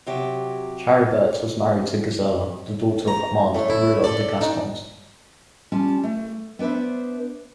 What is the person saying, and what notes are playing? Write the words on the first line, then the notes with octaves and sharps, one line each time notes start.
Charibert was married to Gisela, the daughter of Amand, Ruler of the Gascons.
C3 F#3 G4
A3 A#5
A2 A3 D4
G2 E4
A4 D5 E5
D4 D#4
G3 C#4 F4 A5
A3
B3 D4 B4 C5 E5